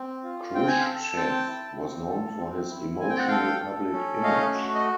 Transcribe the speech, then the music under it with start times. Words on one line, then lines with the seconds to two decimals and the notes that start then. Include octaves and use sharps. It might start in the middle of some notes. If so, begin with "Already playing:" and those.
Khrushchev was known for his emotional public image.
Already playing: C4
0.24 F4
0.55 C4 G5
0.67 G#5
0.81 A4 F5 G5
1.16 C4 G5 A5
1.47 E4
1.77 C4
2.08 A4
2.39 C4
2.70 E4
3.00 C4 G#5
3.10 G5
3.19 F#5
3.28 A4 F5 G5
3.62 A4
3.93 C#4
4.23 A3 D#5 F5
4.54 F#4
4.75 D#5